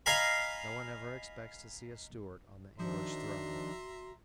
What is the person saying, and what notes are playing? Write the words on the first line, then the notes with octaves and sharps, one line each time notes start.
No one ever expects to see a Stuart on the English throne.
D#5 F5 G#5 A#5 B5
D#3 F3 D4 F#4 E5 A#5 C6